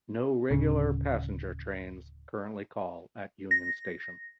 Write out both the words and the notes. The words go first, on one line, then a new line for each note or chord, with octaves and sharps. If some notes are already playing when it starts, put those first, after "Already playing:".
No regular passenger trains currently call at Union Station.
D1 C#3
A#6